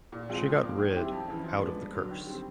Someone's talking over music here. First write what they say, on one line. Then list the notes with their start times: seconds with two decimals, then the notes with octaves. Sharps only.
She got rid out of the curse.
0.12 A#2
0.29 F3 G#3 C4 F4
0.45 F3
0.62 A#3 D4
0.79 D#3
0.95 G3 C4 E4 G4
1.11 F2
1.28 C#3 E3
1.44 F3
1.61 G#3 B3 D4
1.77 G2
1.93 D3 F#3
2.10 D#3
2.26 G3 C4